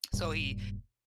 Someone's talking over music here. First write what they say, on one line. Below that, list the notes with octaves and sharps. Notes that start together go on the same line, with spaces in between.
So he
E1 G2 A#2 G3